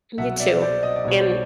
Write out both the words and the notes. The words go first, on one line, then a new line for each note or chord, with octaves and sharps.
You too. And,
C2 B2 F#3 E5 F#5
D5 E5
C5 D5
D#5
D5
B1 B2 G3 C#5
C5 D5